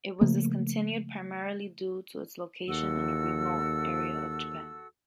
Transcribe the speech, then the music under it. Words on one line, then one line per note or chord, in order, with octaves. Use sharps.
It was discontinued primarily due to its location in a remote area of Japan.
C#3 F3 A3 A#3
D#2 F#4 A4 E6